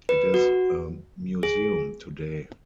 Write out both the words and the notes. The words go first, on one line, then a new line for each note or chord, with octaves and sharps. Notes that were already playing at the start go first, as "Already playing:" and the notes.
It is a museum today.
B4
F#4
G#4